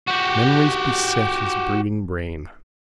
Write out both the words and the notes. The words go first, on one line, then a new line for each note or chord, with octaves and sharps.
Memories beset his brooding brain.
F#4 G4